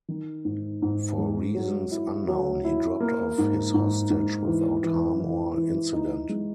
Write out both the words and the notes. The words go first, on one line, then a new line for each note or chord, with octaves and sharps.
For reasons unknown, he dropped off his hostage without harm or incident.
D#3
G#2
G#2
G#3
F#3
E4
F#3
E4
A#3
G#2
G#2
G#2
E3
E3
E3
E3
D#4
G#3